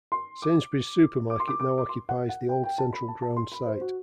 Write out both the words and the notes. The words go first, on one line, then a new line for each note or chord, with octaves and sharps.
Sainsbury's Supermarket now occupies the old Central Ground site.
C6
D6
D6
C6
D6
D6
D6
C6
F#5
F#5
G5
G5
A5
B5
A5
A5
C6
B5
C5
F#4